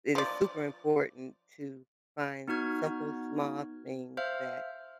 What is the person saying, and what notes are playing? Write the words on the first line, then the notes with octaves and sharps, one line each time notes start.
it is super important to find simple, small things that
F3 D5
B3 D#4 F#4 F6 G#6
C5 E5 F5 F6